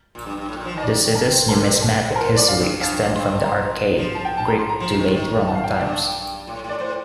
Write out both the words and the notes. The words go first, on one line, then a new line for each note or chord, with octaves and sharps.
The city's numismatic history extends from archaic Greek to late Roman times.
A#2
G2
G2
A2
A#2
F3
D#3 D#5
D5
A#4
C5
D3 A#4
C3
A2
A2 A4
C5
A#4
C5
D5
A2 F5
G2
G2 F5
G2 C6
A#5
C6
F3
A5
G5
A5
A#5
C6
A#5
F3
D#3
D#3
A5
F5
G5
A5
G2 D5
A2
A2 D5
A2 C5